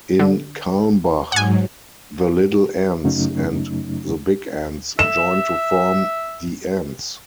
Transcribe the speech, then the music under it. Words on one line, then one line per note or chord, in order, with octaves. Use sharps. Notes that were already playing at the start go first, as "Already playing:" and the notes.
In Calmbach, the Little Enz and the Big Enz join to form the Enz.
D3
G#2 F#3 F#5 G#5
F#2 C#3 F#3 A3 C#4 D#4
E5 E7